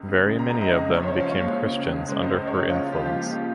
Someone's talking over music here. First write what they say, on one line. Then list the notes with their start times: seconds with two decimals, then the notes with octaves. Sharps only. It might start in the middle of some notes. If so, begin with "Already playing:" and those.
Very many of them became Christians under her influence.
Already playing: C#2
0.08 C#3
0.23 G#3
0.39 C#2 A#5
0.55 C#2
0.61 D#5
0.70 C#3
0.85 G#3
0.97 C#5
1.00 C#3 C5
1.08 C#5
1.15 F3 F5
1.31 D#2 C#5
1.47 G#3
1.62 C#3
1.78 C#2
1.93 C#3
2.08 G#3
2.23 C#2 C5
2.39 C#2
2.47 C#5
2.54 C#3
2.70 G#3 F4
2.85 C#3
2.93 G4
3.01 F3
3.16 D#2
3.31 G#3